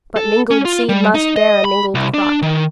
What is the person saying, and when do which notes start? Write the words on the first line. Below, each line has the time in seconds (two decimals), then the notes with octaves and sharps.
But mingled seed must bear a mingled crop.
0.16 A4
0.51 C#4
0.65 F4
0.89 G3
1.15 D#4
1.36 D#5
1.65 B5
1.95 C2
2.14 D4
2.42 D#3